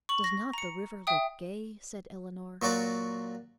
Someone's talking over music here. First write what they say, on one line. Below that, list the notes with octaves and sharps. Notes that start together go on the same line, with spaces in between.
"Does not the river look gay?" said Eleanor.
C#6 F#7
A#6
A#5 C#7
E5 G5 D#6
A#2 F#3 F#4 D5